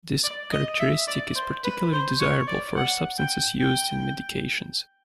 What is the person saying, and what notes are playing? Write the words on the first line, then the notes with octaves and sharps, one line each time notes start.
This characteristic is particularly desirable for substances used in medications.
D5
D#5
E5
D5
C5
B4
C5
C#5
D5
F#5
G5
G5